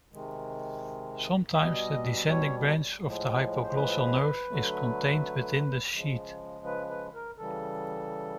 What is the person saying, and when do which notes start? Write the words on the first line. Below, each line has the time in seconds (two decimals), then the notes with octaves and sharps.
Sometimes the descending branch of the hypoglossal nerve is contained within the sheath.
0.12 C3 D#3 G#3
1.54 E5
1.58 B2 G3 D#5
2.30 C#5
3.03 A2 F3 G#3
3.63 C5
3.75 B4
4.48 D3 F#3 A3
5.93 C#3 F3 G#3
6.66 B4
6.90 B4
7.14 A#4
7.38 C#3 E3 G3 A4